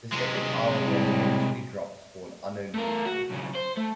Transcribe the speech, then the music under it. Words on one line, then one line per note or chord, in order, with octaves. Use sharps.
The second hour was eventually dropped for an unknown reason.
C3 G#3
A2 G3
A3 A#4
F#4
B1 C#3
C5
A3